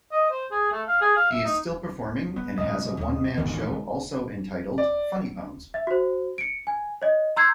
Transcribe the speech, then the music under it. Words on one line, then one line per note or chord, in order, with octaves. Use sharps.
He is still performing and has a one-man show also entitled Funny Bones.
D#5
C5
G#4
A3
F5
G#4
F5
E5
D#4
G#3 B3
G1 C2 D#5
D#2 B2
E1 A1 D2 G#2 D#3 D#4
G#3
D5
E5
F#4 C5
C#7 D7
G#5
C#5 D#5
A#5 C6 E6 G6 G#6 C7